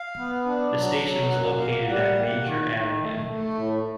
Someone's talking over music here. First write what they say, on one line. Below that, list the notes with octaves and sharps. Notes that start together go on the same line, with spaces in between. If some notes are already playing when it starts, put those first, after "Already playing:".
The station was located at Major Avenue.
Already playing: F5
B3
D4
F#3
F#3
F#2 F#5
A#3 F5
G3 F#5
A#3
D#3
D#3
A3
A3
A2